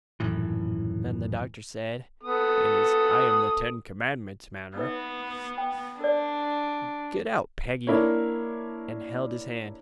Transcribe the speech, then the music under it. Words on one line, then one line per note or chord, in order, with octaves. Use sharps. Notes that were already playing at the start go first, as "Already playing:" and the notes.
Then the doctor said, in his I-am-the-Ten-Commandments manner, "Get out, Peggy," and held his hand.
D#1 F#2 A2 E3
B3 A4 D#6
B3 D#4 B4 E5
G5
D4 A#4 D5
A#3 D4 E4 A#4 C#5